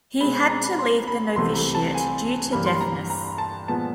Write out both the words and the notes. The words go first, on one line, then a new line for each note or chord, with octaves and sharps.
He had to leave the novitiate due to deafness.
B2 G#3 C4 B5
B5
A#5
B5
C6
B5
C2 C3 E3 A3 C4 C6
B5
A5
G#5
G2 E3 G3 A#3 B5
C6
B5
A#5
A#5
A5
A#2 F3 G#3 B3 A5